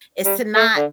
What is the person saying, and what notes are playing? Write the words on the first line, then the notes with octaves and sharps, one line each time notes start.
is to not,
G3
A3
D3